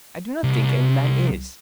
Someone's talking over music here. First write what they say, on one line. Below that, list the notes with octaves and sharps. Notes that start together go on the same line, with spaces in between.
I do not think any man is.
C2